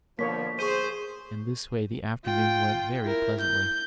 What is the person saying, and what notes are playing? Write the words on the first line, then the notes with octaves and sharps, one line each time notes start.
In this way the afternoon went very pleasantly.
B2 D3 F3 A#3 C#5 B6
G#4 C5 C#6 D#7
F4 G5
E4 A#4
G6